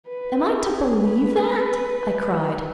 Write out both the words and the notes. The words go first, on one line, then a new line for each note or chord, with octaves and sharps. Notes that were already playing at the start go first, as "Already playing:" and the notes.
"Am I to believe that?" I cried.
B4
G#4
B4